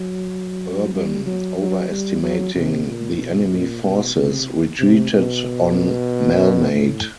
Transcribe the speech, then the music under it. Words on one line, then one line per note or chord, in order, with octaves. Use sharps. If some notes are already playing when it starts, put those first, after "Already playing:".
Urban, overestimating the enemy forces, retreated on Malnate.
Already playing: F#3
G3
F#3
F#3
G3
F#3
C3
A#2
B2
A#2
B2
C3
C3
B2
A2